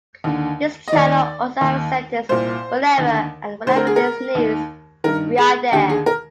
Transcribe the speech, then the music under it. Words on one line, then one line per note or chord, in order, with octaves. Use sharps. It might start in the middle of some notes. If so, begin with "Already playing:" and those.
This channel also have sentence Whenever and wherever there is news, we are there.
D#2 D3
D#5
D#2 D#3 D5
D#2 D#3
C2 A#2 C5
D#2 D3
D2 D3 C5
A#4
G#4
A#4
D#2 D#3
G2 D#3 A#4
G#4
D#2 D3 G4
G#4
A#4